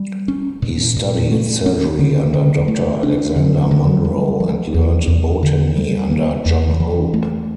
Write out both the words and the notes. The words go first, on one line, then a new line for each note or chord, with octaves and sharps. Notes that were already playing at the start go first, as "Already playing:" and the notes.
He studied surgery under Doctor Alexander Monro and learnt botany under John Hope.
Already playing: G3
C#4
A#2
A#2
A3
C#4
D3
D3
A3
D4
D3
D3
G3
F3
E2
E2
D3
G3
A#3
E2
E3
A3